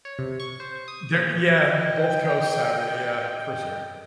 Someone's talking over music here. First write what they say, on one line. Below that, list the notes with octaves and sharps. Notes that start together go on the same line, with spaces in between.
There yeah, both coasts have it. Yeah, for sure.
C#5
C3
C#6
C5
D#6
A#2
D#5 G5